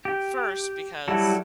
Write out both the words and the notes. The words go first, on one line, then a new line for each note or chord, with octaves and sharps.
First, because
G4
F#3 G3 E4 F#4 A4